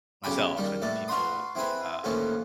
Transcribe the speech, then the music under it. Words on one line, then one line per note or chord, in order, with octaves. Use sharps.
myself and people, uh,
B1 C#3 G4 G5 G#5 B5
D#3 G3 D#4
A2 E3 D5
F4 F#4 B4 C6 D#6
E3 C4 G#4 B4
D#2 A2 E3 F3 C#4